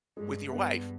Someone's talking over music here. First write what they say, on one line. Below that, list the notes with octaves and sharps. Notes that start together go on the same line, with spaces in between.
With your wife.
G2 G#3
G2 B3